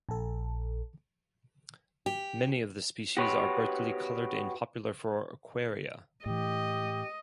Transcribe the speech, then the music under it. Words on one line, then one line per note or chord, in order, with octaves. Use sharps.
Many of the species are brightly colored and popular for aquaria.
A#1 A4
G4
F#4 G4 B4 C#5
A2 E3 G4 D#5